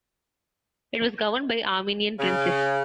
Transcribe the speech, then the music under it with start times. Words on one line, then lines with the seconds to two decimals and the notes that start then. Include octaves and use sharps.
It was governed by Armenian princes.
2.19 C#3